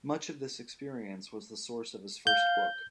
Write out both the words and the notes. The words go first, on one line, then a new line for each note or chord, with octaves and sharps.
Much of this experience was the source of his first book.
F5 G6